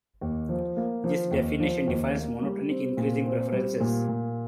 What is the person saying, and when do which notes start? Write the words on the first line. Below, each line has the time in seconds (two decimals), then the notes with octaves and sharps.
This definition defines monotonic increasing preferences.
0.21 D#2
0.49 F3
0.77 A#3
1.04 F3
1.31 D#2
1.60 F3
1.87 D#2
2.15 A#3
2.43 G3
2.69 C4
2.97 A#2
3.26 C4
3.52 G3
3.80 A#2
4.08 A#2